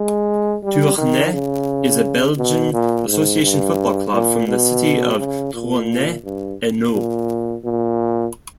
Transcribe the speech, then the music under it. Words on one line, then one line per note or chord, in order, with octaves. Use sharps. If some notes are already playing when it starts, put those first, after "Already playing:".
Tournai is a Belgian association football club from the city of Tournai, Hainaut.
Already playing: G#3
G3
D#3
C#3
B2
A#2
G#2
G2
A#2
B2
C#3
A#2
G2
A#2
A#2